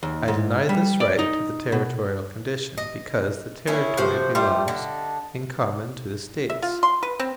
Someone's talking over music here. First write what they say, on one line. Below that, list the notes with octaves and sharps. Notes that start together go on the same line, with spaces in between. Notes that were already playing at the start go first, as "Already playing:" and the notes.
I deny this right to the territorial condition, because the Territory belongs in common to the States.
D#2
G#2
G3
D5
D#4
B2
D#5
C#4 E4 G#4
C3 F3 F#4 C5
G3 A3 F4 C5
D3 D#5
E5
F4
C6
B4
C4